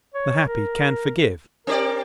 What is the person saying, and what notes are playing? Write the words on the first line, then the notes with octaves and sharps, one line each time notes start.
The happy can forgive.
C#5
A#4
C4 G4 A#4 D5